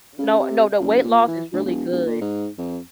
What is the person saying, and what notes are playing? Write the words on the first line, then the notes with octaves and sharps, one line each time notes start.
No no no weight loss is really good.
C#3
C3
F#1
A#2
E3
D2
E1
E1
A#2
G#2
F2